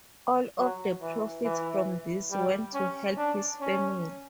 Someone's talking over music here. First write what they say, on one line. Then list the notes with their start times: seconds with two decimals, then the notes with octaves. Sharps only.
All of the profits from this went to help his family.
0.58 F#3
1.01 E3
1.44 E3
2.31 G3
2.74 C#4
3.17 D4
3.61 C#4